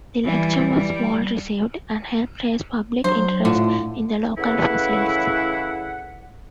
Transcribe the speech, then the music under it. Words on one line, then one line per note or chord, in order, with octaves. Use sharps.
The lecture was well received and helped raise public interest in the local fossils.
E3 G3
G3
F#3 D4 C5
A2 D3 A3 F4
A2 C#3 E3 E4 B4 F#5